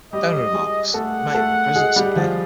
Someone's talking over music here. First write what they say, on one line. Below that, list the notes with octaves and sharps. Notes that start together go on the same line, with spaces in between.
Daniel remarks, He might even be President someday.
G3 G4 D#5
G#3 G#4
A3 A4 F#5
A3 A4
G#3 G#4
G3 G4
F3 F4